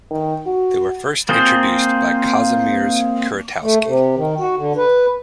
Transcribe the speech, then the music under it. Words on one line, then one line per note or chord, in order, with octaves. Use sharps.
They were first introduced by Kazimierz Kuratowski.
D#3
F#4
A#3 C4 F4 G#4 C5
A3
C3
D#3
F#4
D3
B4